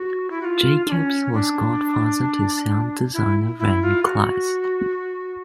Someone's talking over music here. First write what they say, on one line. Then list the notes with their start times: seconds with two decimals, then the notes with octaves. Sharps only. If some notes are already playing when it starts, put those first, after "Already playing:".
Jacobs was godfather to sound designer Ren Klyce.
Already playing: F#4
0.30 E4
0.41 F#4
0.45 F4
0.88 D4
0.92 C#4
1.33 D4
3.14 E4
3.59 E4
3.82 F4
4.04 F#4